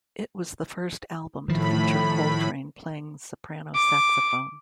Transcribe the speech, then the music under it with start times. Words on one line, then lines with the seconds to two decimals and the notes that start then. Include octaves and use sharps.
It was the first album to feature Coltrane playing soprano saxophone.
1.48 A2 D#3 F3 B5
3.75 D6